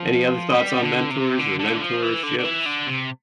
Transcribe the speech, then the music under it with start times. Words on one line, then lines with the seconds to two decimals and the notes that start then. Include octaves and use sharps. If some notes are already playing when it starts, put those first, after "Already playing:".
Any other thoughts on mentors or mentorships?
Already playing: F3
0.54 G3
0.82 D3
1.10 C3
1.39 D3
1.59 D3
1.72 E3
1.81 F3
2.02 E3
2.23 D3
2.39 D3
2.45 E3
2.66 D3
2.87 C3